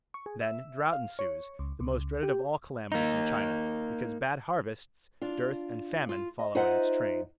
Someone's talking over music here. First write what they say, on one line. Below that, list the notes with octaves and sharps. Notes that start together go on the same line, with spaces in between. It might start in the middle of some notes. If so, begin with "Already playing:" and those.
Then drought ensues, the most dreaded of all calamities in China, because bad harvests, dearth, and famine follow in its train.
C#6
G#4
E5
F5
C#5
C#2
C#2
G4
A#3 D#4
D4 F4
F4
D#5
D#4 F4 C5 D#5 E5 F#5